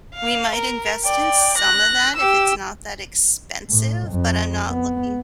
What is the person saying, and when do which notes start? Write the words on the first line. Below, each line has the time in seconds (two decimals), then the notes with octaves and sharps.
We might invest in some of that if it's not that expensive, but I'm not looking
0.14 F5
0.55 A#4
1.04 D5 G5
1.57 F#6 A#6
2.16 G4 E6
3.70 A2
4.09 F2
4.69 B3